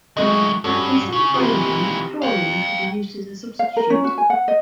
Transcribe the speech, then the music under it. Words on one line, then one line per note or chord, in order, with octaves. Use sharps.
Instead of bromine, chlorine could be a substituent.
D#3 F#3 G#3 A3 D#5
G2 C#4 F#4 A4
C#3
C3 D#3 E3 F4
F5 G5
F5
A#4
C#4
F#4
G#5
F#5
D#5